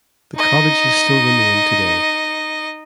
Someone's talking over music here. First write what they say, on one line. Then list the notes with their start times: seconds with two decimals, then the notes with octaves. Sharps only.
The cottages still remain today.
0.35 D#4 D#5